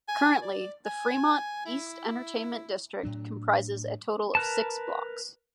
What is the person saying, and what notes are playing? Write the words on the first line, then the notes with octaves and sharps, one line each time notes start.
Currently, the Fremont East Entertainment District comprises a total of six blocks.
G#5
D5
G#5
E4
A2 F#3 D4
A#4 B4 A5